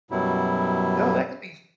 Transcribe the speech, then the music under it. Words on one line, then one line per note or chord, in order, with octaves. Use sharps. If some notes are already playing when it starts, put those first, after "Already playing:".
No, that could be f
F#2 B2 F#3 G3 E4